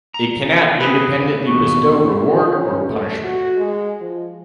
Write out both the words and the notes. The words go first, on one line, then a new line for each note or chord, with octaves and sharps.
It cannot independently bestow reward or punishment.
A#5
C4 G4 G#4 B4
D#2 B2 C#6
D#3
C#4
A3
F#4
G#3
F3